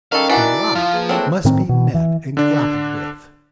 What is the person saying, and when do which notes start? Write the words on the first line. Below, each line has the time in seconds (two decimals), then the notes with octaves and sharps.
The lie must be met and grappled with.
0.12 D#3 G3 C#4 A4 F5 G5 C#6
0.30 E3 D4 E4 F#4 D5 F#5 A#5
0.75 F3 F4
0.93 A#3 G#4 B4
1.09 A2 C4 D4 F#4
1.45 A2 D#3 C4
1.69 B2
1.94 E3
2.37 D3 D4